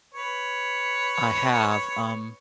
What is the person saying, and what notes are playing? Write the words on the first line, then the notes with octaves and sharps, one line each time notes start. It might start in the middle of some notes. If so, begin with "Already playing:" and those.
I have, um
B4 C#5